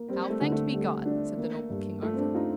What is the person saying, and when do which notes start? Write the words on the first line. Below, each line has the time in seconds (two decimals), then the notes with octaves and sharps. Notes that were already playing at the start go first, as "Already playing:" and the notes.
NOW thanked be God, said the noble King Arthur.
Already playing: A#3
0.08 G3 C4
0.30 A3
0.41 D3
0.52 A3
0.73 G3
1.06 D4
1.38 A#3
1.70 G2
2.02 A3 F4
2.13 C4
2.18 D4
2.34 D#4 F4